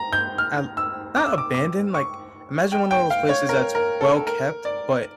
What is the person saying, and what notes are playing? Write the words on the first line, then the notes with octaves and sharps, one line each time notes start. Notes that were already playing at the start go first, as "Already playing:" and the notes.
um, not abandoned, like, imagine one of those places that's well-kept, but,
Already playing: A#5
G6
F6
E6
D6
E6
D6
D6
C#6
G5
G5
F5
C#5
A#4
A#4
A4
A#4
D5